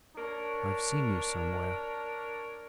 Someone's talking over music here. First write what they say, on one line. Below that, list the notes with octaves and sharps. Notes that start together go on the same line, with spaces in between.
"I have seen you somewhere."
D4 A#4 C#5